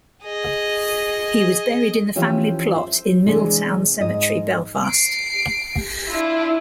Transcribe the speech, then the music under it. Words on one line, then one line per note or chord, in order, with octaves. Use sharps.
He was buried in the family plot in Milltown Cemetery, Belfast.
G#4 D#5
E3 F3 C#4 F4 G4 E5
C5 E5
C3 E3 G#3 D4
G#2 D#5
C7 D7
D4 E4 F4